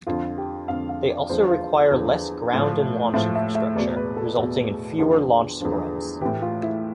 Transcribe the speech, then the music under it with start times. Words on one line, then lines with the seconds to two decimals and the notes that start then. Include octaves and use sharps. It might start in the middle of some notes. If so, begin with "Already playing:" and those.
They also require less ground and launch infrastructure, resulting in fewer launch scrubs.
0.07 F2 D3 F3 F4
0.38 G4
0.68 F2 D3 F3 F5
0.89 F5
1.10 D5
1.29 E2 D3 F3 C5
1.51 F4
1.91 E2 D3 F3
2.54 A2 F3
3.14 A2 F3 E5
3.35 E5
3.55 E5
3.75 E2 B2 D5
3.96 B4
4.17 A4
4.37 E2 B2
4.98 E2 D3 F3 G4
5.61 E2 D3 F3
6.21 A2 E3 G4
6.42 F4
6.63 E4